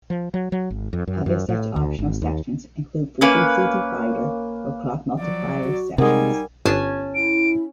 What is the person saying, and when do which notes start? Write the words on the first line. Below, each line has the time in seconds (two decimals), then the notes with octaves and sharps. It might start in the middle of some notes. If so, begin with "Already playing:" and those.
Other such optional sections include frequency divider or clock multiplier sections.
0.10 F3
0.34 F#3
0.52 F#3
0.70 G#1
0.93 F2
1.07 F#2
1.26 F#2
1.49 A2
1.76 D2
1.99 G#1
2.22 D#2
3.21 A#3 C#4 B4
5.19 F3 F#3 D5
5.65 F#4
5.98 C3 G3 G#3 D#4 A#4 F#5 G#5 D#6
6.66 G1 B3 C#4 D4 G#5 A5
7.15 E4 D7